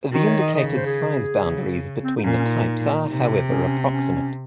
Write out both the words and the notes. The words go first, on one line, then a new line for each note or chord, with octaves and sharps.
The indicated size boundaries between the types are, however, approximate.
D#3 F#4
C#5
D#5
C#3 D#5
C5
G#4
C#3
C4
D#4
A#2 C#4
C#4
D#4
C3
C#4
C#4
C4
C#4